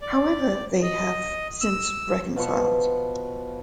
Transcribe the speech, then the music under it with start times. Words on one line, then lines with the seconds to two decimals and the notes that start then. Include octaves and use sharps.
However, they have since reconciled.
0.02 D5
0.82 D#5
1.61 E6
2.36 B2 F3 B4 C#6